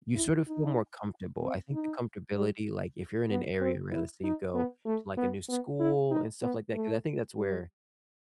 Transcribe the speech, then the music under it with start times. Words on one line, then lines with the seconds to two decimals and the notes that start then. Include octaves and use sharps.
you sort of feel more comfortable. I think the comfortability, like if you're in an area where let's say you go to, like, a new school and stuff like that, 'cause I think that's where
0.15 E4
0.47 D#4
1.41 C4
1.72 D#4
2.35 G3
3.30 B3
3.61 C4
3.92 E4
4.24 D#4
4.55 B3
4.86 A3
5.17 B3
5.49 B3
5.80 E4
6.11 D#4
6.42 B3
6.74 A3
7.36 G3